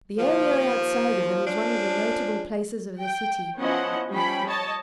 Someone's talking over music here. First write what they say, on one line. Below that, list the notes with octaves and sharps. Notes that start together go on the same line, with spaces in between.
The area outside of them is one of the notable places of the city.
D#2 F3
F3 C#4 D4
G5
F3 B3 C#4 E4 D#5 F#5
F3 G3 C#4 G5 B5
C#5 D#5 A5